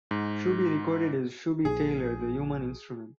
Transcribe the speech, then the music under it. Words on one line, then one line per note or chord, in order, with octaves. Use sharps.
Shooby recorded as Shooby Taylor, the human instrument.
G#2
A#1 G#4